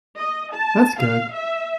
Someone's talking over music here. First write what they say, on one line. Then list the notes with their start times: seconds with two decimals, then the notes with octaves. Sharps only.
That's good,
0.17 D#5
0.52 A5
0.98 F5
1.33 E5